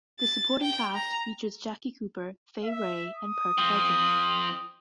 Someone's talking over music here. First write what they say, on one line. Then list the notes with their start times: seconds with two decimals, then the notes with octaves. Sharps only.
The supporting cast features Jackie Cooper, Fay Wray and Pert Kelton.
0.19 A6
0.61 G5
0.95 A#5
2.64 E5
3.15 D#6
3.58 F3 C4